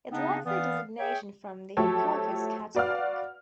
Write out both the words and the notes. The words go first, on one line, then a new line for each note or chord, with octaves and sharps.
It lacks a designation from the Hipparcos catalogue.
C#3 B3 C4 D4 D#4
E3 B3 D5 F5 D#6
G#4 C#5 E5 G5
F3 F#3 A3 G4 A4 C#5
F#4 B4 D5 F5 F#5 F6